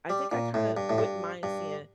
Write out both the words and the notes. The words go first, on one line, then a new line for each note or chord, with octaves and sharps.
I think I kinda wouldn't mind seeing
G3
A#2
A2
G2
A2
G2
G2